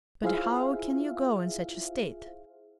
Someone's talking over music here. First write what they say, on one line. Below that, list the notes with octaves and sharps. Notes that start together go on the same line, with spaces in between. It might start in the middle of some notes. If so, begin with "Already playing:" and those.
But how can you go in such a state?
E4 F4 G#4 C5 E5 F5